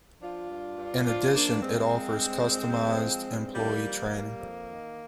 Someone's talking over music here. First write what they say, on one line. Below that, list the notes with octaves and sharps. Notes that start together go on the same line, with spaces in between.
In addition, it offers customized employee training.
F3 D4 F4
G2
G2
F3 D4 F4
F3 A#3 D4
G2 G#3 C4
F3
G2
G2
F3
F3
G2
D#3 G3 A#3
F2
G3
F2
D#3